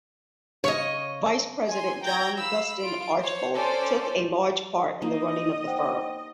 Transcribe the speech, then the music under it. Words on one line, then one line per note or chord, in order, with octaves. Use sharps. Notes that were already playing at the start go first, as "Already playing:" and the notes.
Vice-president John Dustin Archbold took a large part in the running of the firm.
C#3 C#5 D#5
G#5 C6
G5 A#5 G6 G#6 A#6
F5 B5 E6
F4 D7
C5 C#5
C#4 A4 C5 D5
A#3 D#4 D#5
C5 F#5 G5